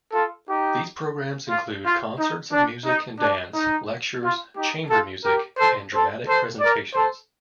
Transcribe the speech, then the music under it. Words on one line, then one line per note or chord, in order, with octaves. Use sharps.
These programs include concerts of music and dance, lectures, chamber music, and dramatic presentations.
F4 A4
D#4 G4
F4
F4
D#4
D4
D#4
D4
D#4
F4
D#4 G4
F4 A4
G4 A#4
A4 C5
A4 C5
A4 C5
A#4 D5
A4 C5